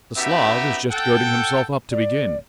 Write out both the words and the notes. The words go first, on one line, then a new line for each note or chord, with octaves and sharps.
The Slav is just girding himself up to begin.
F#2 B3 D#4 G4 E5
A4 F#5 G5
D5